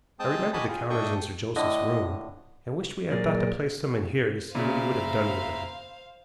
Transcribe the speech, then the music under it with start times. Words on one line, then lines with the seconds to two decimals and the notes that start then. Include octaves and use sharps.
I remembered the counters in Sir Joseph's room, and wished we had thought to place some in here to see what he would have done with them.
0.20 G#3 C4 G5 A5 D#6
0.53 F#4 G4 D#5 G#5 A5 B5
0.68 F4 G#4
0.90 A3 D4 A4 D#5 G5 C#6
1.56 A2 D3 D#5
3.11 A#2 F#3 G#4 A#4 D5
4.55 A#2 C#3 C5 E5 F5 A#5 B5